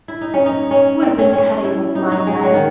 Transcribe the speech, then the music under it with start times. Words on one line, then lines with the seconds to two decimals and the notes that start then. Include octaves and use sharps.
The sixth, "Who has been cutting with my knife?"
0.08 E4
0.21 D#4
0.34 C#4
0.46 D#4
0.71 C#4
1.02 C4
1.18 C#4
1.33 C#4
1.65 E4
1.95 D#4
2.12 D#4
2.27 G#3
2.43 F#3
2.54 D#3